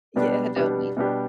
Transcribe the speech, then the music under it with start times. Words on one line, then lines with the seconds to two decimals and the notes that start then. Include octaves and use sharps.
Yeah, I don't need it.
0.16 B2 G3 B3 D4 G4
0.56 B2 G3 B3 D4 G4
0.97 B2 G3 B3 D4 G4